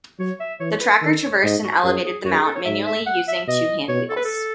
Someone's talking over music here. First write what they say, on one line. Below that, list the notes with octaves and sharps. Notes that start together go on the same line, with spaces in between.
The tracker traversed and elevated the mount manually using two handwheels.
F#3 C#5
E5
E3 C#5
C#5
B4
A4
D#3 A4
C#5
G#2 D#5
F#4
F#2 G#4
G#4
F#2 F#4
G#4
A4
C#5
G#2 E5
E5
F#5
E5
B2 D#5
B2 C#5
A4
B4
A4